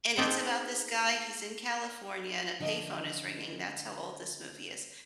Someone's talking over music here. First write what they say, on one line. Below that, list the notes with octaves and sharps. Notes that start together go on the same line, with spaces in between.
and it's about this guy, he's in California, and a payphone is ringing, that's how old this movie is.
C4 D4 D#4 F4 G4 G#4
D3 F3 C#4 D#5